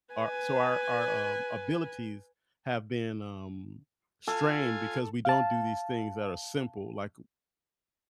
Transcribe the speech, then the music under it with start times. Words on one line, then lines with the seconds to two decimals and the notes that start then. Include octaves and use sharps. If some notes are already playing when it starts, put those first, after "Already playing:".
our so, our our, um, abilities have been, um, strained because we don't do these things that are simple, like
0.14 B4 G#5
4.28 F4 A4 G#5
5.25 F5 A5